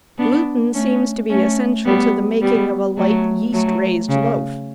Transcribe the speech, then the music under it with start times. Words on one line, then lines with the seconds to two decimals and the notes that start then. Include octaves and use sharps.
Gluten seems to be essential to the making of a light, yeast-raised loaf.
0.18 B3 D4
0.74 A3 C#4
1.30 A3 C#4
1.85 G3 B3
2.42 G3 B3
2.97 F#3 A3
3.53 F#3 A3
4.09 C#3